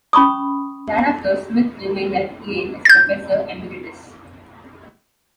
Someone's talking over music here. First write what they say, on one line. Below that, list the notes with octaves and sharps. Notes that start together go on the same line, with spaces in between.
Thereafter, Smith remained at Yale as professor emeritus.
C#4 B5 C#6 D#6
G6 A6